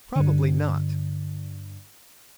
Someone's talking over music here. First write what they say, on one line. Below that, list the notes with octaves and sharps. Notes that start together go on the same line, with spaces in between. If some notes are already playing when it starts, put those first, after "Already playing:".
Probably not.
G2 D3